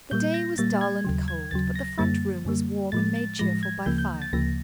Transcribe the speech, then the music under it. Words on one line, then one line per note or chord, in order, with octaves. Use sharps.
The day was dull and cold, but the front room was warm and made cheerful by fire.
A#2 G3 A#3 G6
A#6
A#2 G3 A#3 A6
G#6
D#2 C#3 F#3
G#6
D#2 C#3 F#3 A6
A#6
F#2 D3 G3 A#3 A6
F#2 D3 G3 A#3
A2 F3 G#3 A6
A6
A2 F3 G#3 A#6
G#6
D2 C#3 F3 A#3 G6
G6
A6
D2 C#3 F3 A#3 A#6